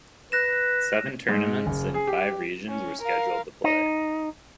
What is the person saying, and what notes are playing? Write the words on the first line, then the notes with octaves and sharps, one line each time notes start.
Seven tournaments in five regions were scheduled to played.
B4 F#6 A#6 E7
G#2
F#1
G#4
G4
C#4
A#4 F5
D#4